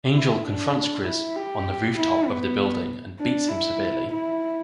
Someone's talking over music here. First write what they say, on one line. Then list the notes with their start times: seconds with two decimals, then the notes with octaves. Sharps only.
Angel confronts Gris on the rooftop of the building and beats him severely.
0.14 E4
0.45 D4
1.06 E4
1.36 G4
1.97 E4
2.27 B3
3.19 D4
3.49 E4
4.10 E4